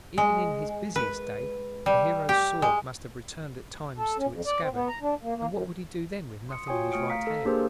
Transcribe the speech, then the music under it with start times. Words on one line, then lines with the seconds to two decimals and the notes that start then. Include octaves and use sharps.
Even in his busiest day the hero's sword must have returned at times to its scabbard, and what would he do then with nothing in his right hand?
0.18 G#3
0.96 B4
1.86 G3
2.29 G4
2.62 G#3
3.96 A4
4.17 C#4
4.31 F2
4.46 D5
4.61 C4
4.73 B3
4.88 A#5
5.02 D4
5.22 A#3
5.36 A#3
5.50 F#2
6.49 C6 D#6 C#7
6.67 F4 F#4 C#5 G5 G#5 D#6
6.92 A3 C#6 D#6 F6 C#7 D7
7.10 F5 A#5 B6
7.27 A4
7.45 A#3 D4 G4 G#4 A#4 C5